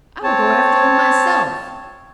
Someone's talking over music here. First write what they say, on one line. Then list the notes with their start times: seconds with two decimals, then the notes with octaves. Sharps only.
'I will go after them myself.
0.24 C4 C#5 A5